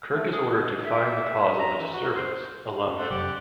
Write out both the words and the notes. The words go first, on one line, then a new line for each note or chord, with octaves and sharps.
Kirk is ordered to find the cause of the disturbance, alone.
A3
G#4
B2
E5
A#5
E3
F#4
C5
C#4
A3 C5 F#5
F1 F#2 G4 D5 F#5